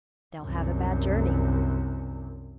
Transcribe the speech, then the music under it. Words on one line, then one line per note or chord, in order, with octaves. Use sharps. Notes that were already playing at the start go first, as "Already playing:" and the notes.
'They'll have a bad journey.'
C2 F#2